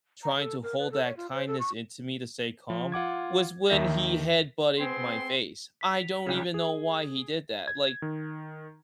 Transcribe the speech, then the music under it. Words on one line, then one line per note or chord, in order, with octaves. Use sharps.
trying to hold that kindness in to me to stay calm was when he headbutted my face, I don't even know why he did that, like,
A#5
A4
A#4
B4
A4
C#5
F4
C5
A4
C#6
F3
F4 F#5 D6 G#6
D#2 D#3 E5 A#6
G#3 B3 C4 C6
B6
F7
C2 C#3
G#4
G#6
D#3